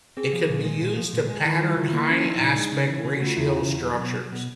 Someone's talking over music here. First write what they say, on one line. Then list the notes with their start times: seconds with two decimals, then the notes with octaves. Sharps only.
It can be used to pattern high aspect ratio structures.
0.17 C4 G#4
0.33 F3
0.49 A#2
0.65 G#3
0.81 A#2
0.97 F3
1.13 A#2
1.29 G#3
1.45 D#3 E4
1.57 G3 F4
1.68 E4
1.77 D#3
1.93 A#3
2.08 C#4 E4
2.19 D#4
2.25 F3 D4
2.40 A#2 D#4
2.56 G#3
2.72 C#3
2.89 E3
3.05 C#3
3.17 A3 F#4
3.26 F4
3.37 E2 E4
3.52 C#3
3.68 E2
3.84 F#3
4.00 B2
4.16 F#3
4.32 B2